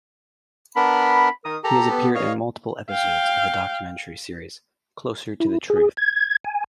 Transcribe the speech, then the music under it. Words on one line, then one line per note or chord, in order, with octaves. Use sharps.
He has appeared in multiple episodes of the documentary series Closer to Truth.
B3 D4 A#4 B5
D#3 A#4 D#6
G4 A4 A#5
B3
G2 C#5 D#5 F5
F5 G5
E4
G#4
G#6
G#5